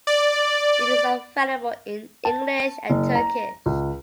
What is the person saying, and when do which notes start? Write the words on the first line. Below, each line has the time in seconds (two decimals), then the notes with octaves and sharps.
It is available in English and Turkish.
0.07 D5
2.25 A5
2.90 F#1
3.15 A#5
3.66 C#2